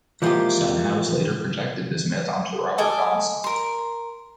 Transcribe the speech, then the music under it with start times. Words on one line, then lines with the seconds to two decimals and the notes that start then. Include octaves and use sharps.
Son House later projected this myth onto Robert Johnson.
0.22 E3 F3 G#3 A#3 F4 G4
2.78 A4 D#5 G#5 D6
3.44 A#4 C6